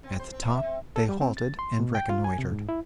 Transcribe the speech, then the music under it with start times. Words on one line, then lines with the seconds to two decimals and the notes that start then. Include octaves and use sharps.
At the top they halted and reconnoitred.
0.04 C4
0.19 C5
0.32 C4
0.47 E5
0.63 C4
0.96 A4
1.09 G3
1.21 C4
1.37 A6
1.59 C6
1.80 B2
1.95 G5
2.09 F4
2.24 G#5
2.39 C3
2.52 G#2
2.69 E4